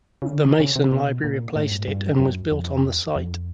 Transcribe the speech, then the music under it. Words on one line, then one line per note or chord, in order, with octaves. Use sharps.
The Mason Library replaced it and was built on the site.
C#3
D3
C#3
C3
B2
C3
B2
A#2
A2
G#2
G2
G#2
G2
F#2
F2
F2